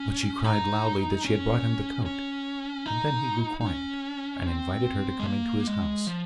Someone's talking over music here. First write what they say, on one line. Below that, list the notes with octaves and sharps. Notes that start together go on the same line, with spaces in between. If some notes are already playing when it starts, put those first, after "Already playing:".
But she cried loudly that she had brought him the coat, and then he grew quiet, and invited her to come into his house.
Already playing: C#4
D#4
C#4
C#4
D#4
D#4
C#4
C4
G#3
A#3
G#3
F3